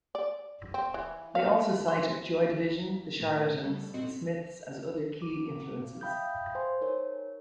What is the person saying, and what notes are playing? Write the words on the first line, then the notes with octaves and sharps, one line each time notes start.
They also cite Joy Division, The Charlatans, The Smiths as other key influences.
D5
C4
E3
F5
C5
A2 A3
B2 G3 A4
A2 C4 F#4 D#5 C6 C#7
D6
E5 F5 G5 B5 D#6 G6
C5 G#5 C6
D#4 A#4 C#5